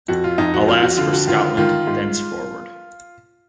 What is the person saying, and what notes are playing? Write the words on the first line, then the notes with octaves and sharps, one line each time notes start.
Alas for Scotland thenceforward.
F2 F#4
F4
F2 D#4
F#4
F2 F4
F#4
D3 F4
F#4
D#3 F4
D#3 F4
G#2